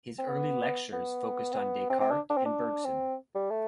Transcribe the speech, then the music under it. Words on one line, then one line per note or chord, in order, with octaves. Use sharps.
His early lectures focused on Descartes and Bergson.
C4
B3
B3
C4
B3
C4
C4
D4
D4
C4
D4
C4
G3
A3